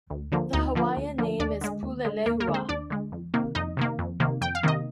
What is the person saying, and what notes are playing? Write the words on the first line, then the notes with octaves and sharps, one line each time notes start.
The Hawaiian name is pulelehua.
D2
D3 F3 A#3
D2 D#4 D#5
D3 F3 A#3
D2
D3 F3 A#3
D#2 D4 D5
D3 G#3
D#2
D3 G#3
D#2 A#3 A#4
A#3 A#4
D3 G#3
C4 C5
D#2 D4 D5
D3 G#3
F2
C3 D#3 A#3
F2 D#4 D#5
C3 D#3 A#3
F2
C3 D#3 A#3
F2 G5
F5
C3 D#3 A#3 D#5